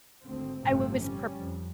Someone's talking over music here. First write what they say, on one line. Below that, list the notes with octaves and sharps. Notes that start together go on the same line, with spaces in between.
I was prep
G#1 D2 C4
G1 A2 C3 F3 F#3 A3
G3 C#4
F2